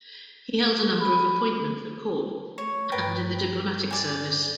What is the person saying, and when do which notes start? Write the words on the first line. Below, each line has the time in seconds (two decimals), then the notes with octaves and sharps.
He held a number of appointments at court and in the diplomatic service.
1.00 B5
2.58 A3 C#5
2.92 G2 A#4 B4 G5 F#6 A6
3.91 D5 G#5